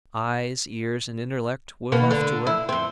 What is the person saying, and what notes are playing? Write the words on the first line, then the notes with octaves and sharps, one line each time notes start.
Eyes, ears, and intellect were left to her.
B2 A#3 B3
D3
E4
F2 C4